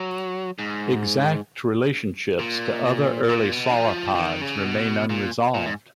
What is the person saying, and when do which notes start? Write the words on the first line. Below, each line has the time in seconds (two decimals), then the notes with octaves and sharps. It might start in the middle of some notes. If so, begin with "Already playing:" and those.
Exact relationships to other early sauropods remain unresolved.
Already playing: F#3
0.59 G#2
2.39 A#2
3.30 A#2
3.52 B2
3.74 F3
4.15 F3
4.19 D#3
4.42 C#3
4.64 B2
5.10 A#2
5.54 A#2
5.66 G#2